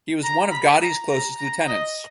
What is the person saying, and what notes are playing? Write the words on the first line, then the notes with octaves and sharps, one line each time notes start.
He was one of Gotti's closest lieutenants.
A#5
B5
A#5
A#5
A#5
D#5